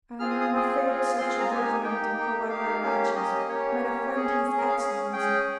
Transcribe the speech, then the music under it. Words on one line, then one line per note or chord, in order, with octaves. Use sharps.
'I am afraid such a judgment, however righteous, might offend his excellency.'
C4 F4 G#4 F6
D#6
D#6
C4 F4 G#4
C4 F4 G#4
C4 F4 G#4 C6
C6
A#5
A#3 D#4 G4 G#5
A#3 D#4 G4 G5
A#3 D#4 G4
A#3 D#4 G4 F5
A#3 C#4 G4
A#3 C#4 G4 D#5
A#3 C#4 G4 C#5
A#3 C#4 G4
C#4 G#4
C#4 G#4
A#4
F5
C#4 G#4
C#4 G#4 G5